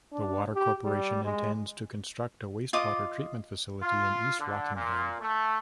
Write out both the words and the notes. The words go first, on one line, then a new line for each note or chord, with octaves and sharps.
The Water Corporation intends to construct a wastewater treatment facility in East Rockingham.
D4
G4
G3
G#3
F4 D#5 D6
F4
D3
A#2
A3